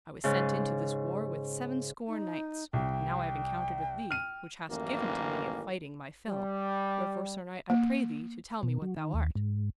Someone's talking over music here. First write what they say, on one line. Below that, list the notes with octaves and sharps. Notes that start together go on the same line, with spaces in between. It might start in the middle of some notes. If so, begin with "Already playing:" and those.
I was sent into this war with seven score knights, and now I have encountered with thee, which hast given to me of fighting my fill, wherefore sir knight, I pray thee to tell me what thou art.
G#2 C#3
D#4
C2 G5
F6 D#7
A1 F#2 D#3 E3 A#3
G3
A#3
B2
F#3
D#3
D#2
G#2